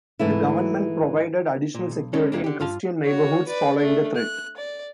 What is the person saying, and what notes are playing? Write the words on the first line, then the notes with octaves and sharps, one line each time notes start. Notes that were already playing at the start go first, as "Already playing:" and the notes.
The government provided additional security in Christian neighborhoods following the threat.
G#2 E3 A3 E4
A#2
B1
C#3 G#3 C#4 D4 A4
E2 C3 G#3 A#3 D4
D3 G4
G2 F4 F5 A5
F#4 C#5
B4 D5
A3 D4
F#6
D5